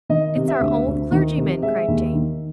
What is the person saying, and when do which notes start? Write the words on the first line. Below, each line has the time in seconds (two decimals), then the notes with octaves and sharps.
'It's our own clergyman,' cried Jane.
0.09 D#3 D#5
0.35 C3
0.48 E5
0.61 D2
0.86 D2
1.12 D#3
1.37 C3
1.63 G#3 E5
1.88 D#2
2.13 D#3